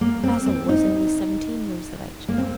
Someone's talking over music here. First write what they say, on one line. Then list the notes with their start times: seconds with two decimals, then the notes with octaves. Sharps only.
Bazil was only seventeen years of age.
0.01 A#3
0.23 C4
0.46 C4
0.69 D#4
2.28 A#3
2.38 C4